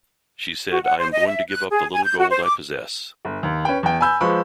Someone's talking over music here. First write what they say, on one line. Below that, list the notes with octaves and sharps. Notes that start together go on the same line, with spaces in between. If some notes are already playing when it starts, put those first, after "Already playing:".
She said, ''I am going to give up the little gold I possess.
F#4
F#5
C5
D#5
E5
F#6
G#4
G#5
G6
F#4
C5
D6
G1
D#2
C#4 B4 G5
E2 G5
G#5 B5 E6 G6
F3 G#3 B4 B5 C#6